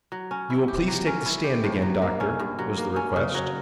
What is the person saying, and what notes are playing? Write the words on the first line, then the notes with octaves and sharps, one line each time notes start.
"You will please take the stand again, doctor," was the request.
F#3
C#4
E4
G4
F#3
C#4
E4
G4
G2
F#3
A#3
C#4
G2
F#3
A#3
C#4
C#3
F#3